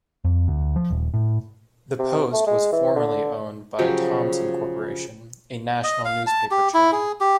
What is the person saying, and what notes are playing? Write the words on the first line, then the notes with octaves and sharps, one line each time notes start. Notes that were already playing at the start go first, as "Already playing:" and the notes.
The "Post" was formerly owned by Thomson Corporation, a national newspaper chain.
F2
D2
F3
D#1
A2
C3
A3
G#3
E3
D3
C#3 F3 F#3 G4
D#5
F5
A5
G4
E4
G#4
G4